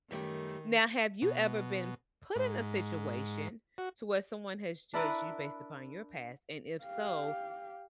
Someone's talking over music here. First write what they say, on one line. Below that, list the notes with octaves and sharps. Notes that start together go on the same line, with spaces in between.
Now, have you ever been put in a situation to where someone has judged you based upon your past and if so,
F#2 D#3 G3 A3
B2
G#2
F#4
D4 E4 A#4 B4
G4 F5